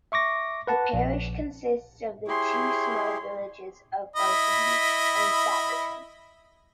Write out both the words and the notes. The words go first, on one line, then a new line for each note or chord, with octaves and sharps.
The parish consists of the two small villages of Braceby and Sapperton.
E5 C#6 D6 A#6
B4 F#5 A5
A#1
E4 G4 G#4 C#5 C6
E4 D#5 B5